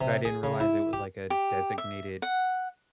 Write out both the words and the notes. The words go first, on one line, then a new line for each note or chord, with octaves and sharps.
but I didn't realize it was, like, a designated
C3
G#4
C#3
E4
G4
G4
E5
F#5